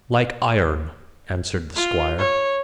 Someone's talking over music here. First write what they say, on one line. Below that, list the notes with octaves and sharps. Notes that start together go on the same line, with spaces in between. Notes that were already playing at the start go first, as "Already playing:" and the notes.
"Like iron," answered the squire.
F4
C#5